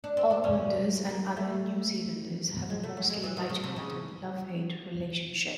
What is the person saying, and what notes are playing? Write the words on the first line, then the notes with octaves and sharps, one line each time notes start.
Aucklanders and other New Zealanders have a mostly light-hearted "love-hate" relationship.
D4
C4
D4
C#4
A#3
A3
G#3
A3
A3
G#3
E3
D#3
C#3
C3
C#3